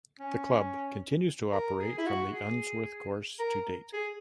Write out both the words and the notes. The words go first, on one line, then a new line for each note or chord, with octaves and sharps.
The club continues to operate from the Unsworth course to date.
C#4
A#4
G#4
E4
F#4
G#4
A#4
G#4